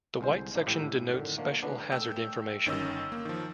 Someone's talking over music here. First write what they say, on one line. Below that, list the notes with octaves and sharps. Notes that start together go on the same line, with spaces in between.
The white section denotes special hazard information.
C2 D3 G#3 C5
A1 F3 D4 D#4 C5
G#1 A2 E4 G4 E5 G5
F#2 A2 D3 D#3
D3 D#3 F3 A3 A#3
D3 E3 F#3 G#3 B3 D4
A3 G5 E6
G1 D#3 C#4 D#5 E6
A#3
D#3 F3